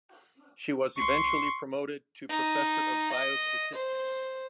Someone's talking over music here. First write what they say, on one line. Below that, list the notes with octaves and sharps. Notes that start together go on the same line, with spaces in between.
She was eventually promoted to Professor of Biostatistics.
C6 C#6
D#4
D#5
C5